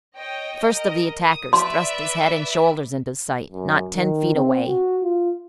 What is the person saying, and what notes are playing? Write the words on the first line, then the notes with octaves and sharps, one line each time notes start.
The first of the attackers thrust his head and shoulders into sight not ten feet away.
C#5 D#5 G5
A#4 D#5
D#6
B4 D5 E5 C6
F#2
D#3
C4
F#4
F4